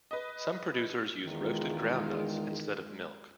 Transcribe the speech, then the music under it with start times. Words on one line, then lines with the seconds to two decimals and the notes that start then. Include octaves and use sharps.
Some producers use roasted groundnuts instead of milk.
0.11 B4 D#5
1.24 E2 D#3 G#3 F4